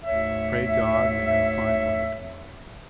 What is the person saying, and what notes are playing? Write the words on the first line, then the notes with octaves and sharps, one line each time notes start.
Pray God we have fine weather to-morrow.
D2 G#2 C#5 E5